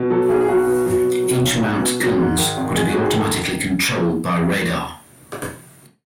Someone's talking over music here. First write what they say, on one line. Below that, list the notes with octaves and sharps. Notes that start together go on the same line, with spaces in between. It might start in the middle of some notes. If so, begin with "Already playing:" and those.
Each mount's guns were to be automatically controlled by radar.
Already playing: B2
F#3 A4
B1 G#4
G#4
B1 F#4
B2
F#3
B2
F#3
B1
B1
B2
F#3
G#2
D#3
G#1
G#3 G#4
G#2 F#4
G#4
D#3
A4